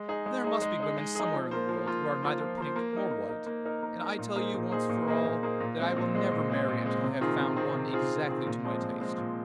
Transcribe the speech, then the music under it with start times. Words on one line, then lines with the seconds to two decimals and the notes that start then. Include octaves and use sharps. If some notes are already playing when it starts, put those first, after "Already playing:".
But there must be women somewhere in the world who are neither pink nor white, and I tell you, once for all, that I will never marry until I have found one exactly to my taste.'
Already playing: G#3
0.08 D#4 G#4
0.26 G#3
0.44 D#4 G#4
0.62 G#3
0.80 D#4 G#4
0.97 G#3
1.15 D#4 G#4
1.33 F3
1.51 A#3 F4 C5
1.69 F3
1.87 A#3 F4 C5
2.05 F3
2.22 A#3 F4 C5
2.39 F3
2.58 A#3 F4 C5
2.76 A#3
2.93 D#4 A#4
3.11 A#3
3.29 D#4 A#4
3.47 A#3
3.65 D#4 A#4
3.83 A#3
4.01 D#4 A#4
4.19 A#2
4.36 A#3 D#4 G#4 C5
4.55 A#2
4.71 A#3 D#4 G#4 C5
4.89 A#2
5.08 A#3 D#4 G#4 C5
5.25 A#2
5.43 A#3 D#4 G#4 C5
5.60 A#2
5.79 G#3 C4
5.96 A#2
6.15 G#3 C4
6.32 A#2
6.50 G#3 C4
6.68 A#2
6.86 G#3 C4
7.04 C3
7.21 D#3 C4 F4 G#4
7.39 C3
7.56 D#3 C4 F4 G#4
7.75 C3
7.93 D#3 C4 F4 G#4
8.10 C3
8.28 D#3 C4 F4 G#4
8.46 A#2
8.64 F3 G#3 C4
8.82 A#2
9.00 F3 G#3 C4
9.18 A#2